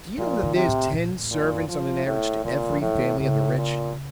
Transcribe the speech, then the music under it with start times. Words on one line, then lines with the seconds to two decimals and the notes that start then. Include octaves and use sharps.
Do you know that there's ten servants, on an average, to every family of the rich?
0.18 A#2 F3
0.43 D#3
0.56 C3
0.68 A2
0.93 A#2
1.18 A2
1.31 A#2
1.43 F#2
1.69 F3
2.06 A2
2.44 A#2 D#3
2.69 F3
2.82 A2
2.95 D#3
3.19 A2 C#3
3.57 A#2